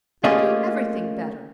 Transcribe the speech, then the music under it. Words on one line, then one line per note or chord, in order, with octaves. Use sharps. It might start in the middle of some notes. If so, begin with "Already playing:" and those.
"They do everything better."
A3 A#3 C#4 F4 G#4 D#5